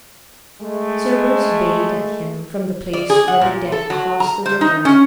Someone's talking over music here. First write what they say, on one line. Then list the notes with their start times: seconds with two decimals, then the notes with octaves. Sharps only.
Cerberus bayed at him from the place where the dead cross the river.
0.61 G#3 A3
2.93 D5
3.10 G#4
3.28 F#5
3.41 A#2
3.72 A4
3.90 F#3
4.20 A#5
4.46 C5
4.61 D#4
4.85 C#4